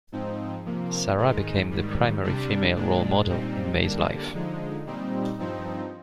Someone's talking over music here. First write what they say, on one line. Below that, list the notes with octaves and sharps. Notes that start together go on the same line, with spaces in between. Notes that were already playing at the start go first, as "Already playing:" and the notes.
Sarah became the primary female role model in Mays' life.
G#2 F3 C4 D#4
C3 F3 A#3
G#2 D#3 G#3 D#4
G#2 D#3 G3
C3 G3 D4
A#2 G#3 D4
A#2 G3 C4 D#4
D3 G3 A#3 D4
D3 F3 G#3 D#4
A#2 G3 C4 D#4
G2 F3 C4 D#4